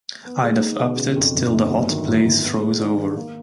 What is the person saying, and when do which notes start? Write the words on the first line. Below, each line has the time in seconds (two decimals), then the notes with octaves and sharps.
I'd've upped it till the hot place froze over!
0.25 B3
0.43 G#3
0.62 D#4
0.79 B2
0.97 C#3
1.16 F2
1.34 G1
1.53 G1
1.71 F#3
1.89 D#3
2.07 G#2
2.25 G#2
2.43 B3
2.62 G#3
2.79 D4
2.98 D#3
3.17 A#3